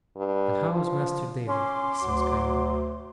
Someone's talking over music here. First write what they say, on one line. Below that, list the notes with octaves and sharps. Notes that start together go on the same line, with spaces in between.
'And how is Master David?' he says, kindly.
G2
F3
C#4 C6 D6
D2 F#3